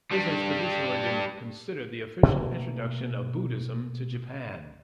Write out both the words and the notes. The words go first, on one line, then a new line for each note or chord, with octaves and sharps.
This has traditionally been considered the official introduction of Buddhism to Japan.
G2 G3
B2 A3 A#3